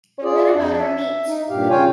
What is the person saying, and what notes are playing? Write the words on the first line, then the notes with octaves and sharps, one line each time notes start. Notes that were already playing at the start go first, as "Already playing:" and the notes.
But what about our meat?
F4 G#4 D5
F2 D4
E5
D#4
G2 A#2 G4 F5
C#3 F4 C#5 F5 G5 G#5